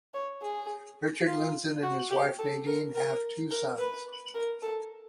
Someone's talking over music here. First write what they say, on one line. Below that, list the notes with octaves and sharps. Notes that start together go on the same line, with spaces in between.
Richard Lindzen and his wife, Nadine, have two sons.
C#5
G#4
F4
F#4
G4
A4
A#4
A#4
A#4
B4
A#4
A4